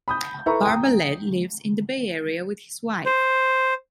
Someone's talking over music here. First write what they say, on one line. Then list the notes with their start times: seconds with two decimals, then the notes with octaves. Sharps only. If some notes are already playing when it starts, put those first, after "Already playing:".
Barbalet lives in the Bay Area with his wife.
0.08 B5 D#6 G6
0.46 E4 A4 B4 A#5 C#6
0.66 G5 A#5 D#6
3.06 C5